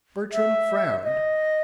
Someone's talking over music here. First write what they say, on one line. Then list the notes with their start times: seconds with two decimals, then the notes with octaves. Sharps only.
Bertram frowned.
0.32 E5
1.03 D#5